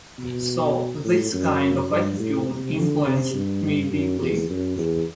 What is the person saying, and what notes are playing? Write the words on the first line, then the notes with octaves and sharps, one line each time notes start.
So this kind of attitude influenced me deeply.
B2
A2
F#2
G2
A2
C3
D3
C3
G2
F#2
E2
F#2
E2